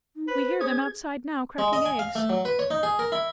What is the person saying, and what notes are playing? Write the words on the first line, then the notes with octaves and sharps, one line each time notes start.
We hear them outside now cracking eggs.
D#4
B4 C5
C#4 G#4 G#6
G#3
D#5
G#5
F5
A3
F#3
B4
C#5
D#4
G#4
A#4
E4